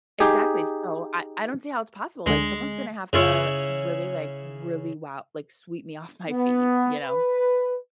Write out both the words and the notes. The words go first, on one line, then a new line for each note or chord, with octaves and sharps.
Exactly, so I I don't see how it's possible, like someone's gonna have to really like, really wo like sweep me off my feet, you know?
D#4 G4 G#4
D2 D3 G#3
F#2 C#3 E4 F4 C#5
B3
B4